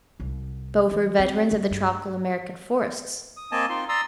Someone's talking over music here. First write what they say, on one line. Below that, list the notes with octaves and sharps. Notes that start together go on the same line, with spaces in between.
Both were veterans of the tropical American forests.
C2
E3
C4
G3
G2
D#6
A#3 C4 D#5 G#5 A5
C4 D#4 F4 C6
D5 A#5 C6 D#6 E6